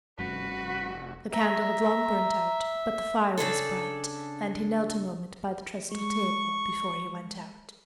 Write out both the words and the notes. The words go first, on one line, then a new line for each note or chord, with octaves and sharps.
The candle had long burnt out, but the fire was bright, and he knelt a moment by the trestle-table before he went out.
F1 G2 G3 C#4 F#4 B4
E5 A#5
C#3 D4 G#4 A4
G#3 C#6